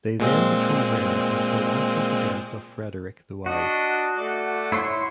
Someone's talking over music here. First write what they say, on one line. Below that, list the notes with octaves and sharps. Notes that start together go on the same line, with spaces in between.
They then become rare until after the death of Frederick the Wise.
A#2 G#3 C4
D4 F#4 D#5
A3 D5
E4 C#5 C6